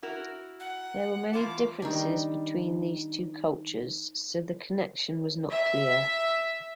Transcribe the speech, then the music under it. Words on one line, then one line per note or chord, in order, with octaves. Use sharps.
There were many differences between these two cultures, so the connection was not clear.
E4 F#4 A#4
F#5
E2 F4 A5 D6
D#3 G3 D4
E5